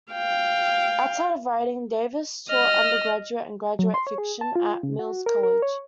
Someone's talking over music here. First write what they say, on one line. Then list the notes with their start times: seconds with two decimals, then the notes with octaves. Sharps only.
Outside of writing, Davis taught undergraduate and graduate fiction at Mills College.
0.12 F5 G5
2.48 D#5 F6
3.79 F#3
3.94 C6
4.07 C#5
4.18 G#4
4.41 A5
4.56 F4
4.83 C#3
4.99 F#4
5.26 A#4
5.43 A#4
5.62 C#5